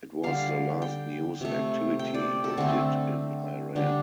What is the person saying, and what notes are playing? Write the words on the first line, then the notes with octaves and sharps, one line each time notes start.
It was the last news activity he did in Iran.
D3 G3 F5
G5
C3 A3
G5
D5
A4
D3 A3 C4
D3 G3 D4